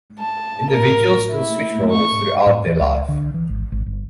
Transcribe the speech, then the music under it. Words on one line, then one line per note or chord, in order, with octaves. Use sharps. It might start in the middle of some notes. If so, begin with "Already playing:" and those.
Individuals can switch roles throughout their life.
A5
A#4
E4
C#6
A2
E3
C#2
D3
E3
G#1
G#1
G1